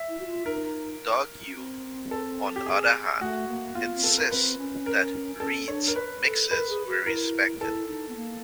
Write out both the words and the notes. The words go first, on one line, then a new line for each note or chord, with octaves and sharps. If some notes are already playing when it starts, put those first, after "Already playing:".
Doug Yule, on the other hand, insists that Reed's mixes were respected.
Already playing: E5
E4
F#4
F4
D#4 A#4
C#4
C4
A4
G4
G#4
A3 F#4
A#3
B3 F4
C4
A4
C4
A#4
C4 B4
C#4
A#4
C#4 A4
D4 C#5
A#4
B4
A4
A#4 B4
G#4
F#4
E4 A#4
E4 A4
D#4
B3
A#3